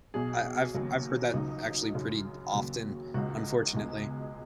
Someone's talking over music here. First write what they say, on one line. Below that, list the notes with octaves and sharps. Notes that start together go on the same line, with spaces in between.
I I've I've heard that actually pretty d often, unfortunately.
B1 B2 F#3 G#4
D#2 C#3 F#3
C#2 C#3 F#3 D#4
F#2 C#3 F#3
D#2 C#3 F#3
C#2 C#3 G#3 F#4
C#2 B2 G#3